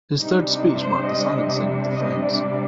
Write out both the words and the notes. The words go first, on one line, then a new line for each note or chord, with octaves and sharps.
His third speech marked the silencing of the friends.
C3 G3 D4 D#4
D#4
C5
D#5
D#5
D5